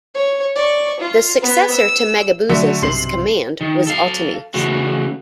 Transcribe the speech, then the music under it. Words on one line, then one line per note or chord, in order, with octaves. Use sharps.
The successor to Megabazus's command was Otanes.
C#5
D5 C#6
F4
B3 B4
E6
D3 F#3 A3
B1 G2 C3 C6 C7 F#7
D#3
A4 F5
C#3 E3 A3 F#4